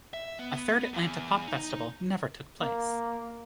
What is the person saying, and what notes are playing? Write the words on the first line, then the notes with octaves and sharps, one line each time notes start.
A third Atlanta Pop Festival never took place.
E5
B3
E2
D#4
A#3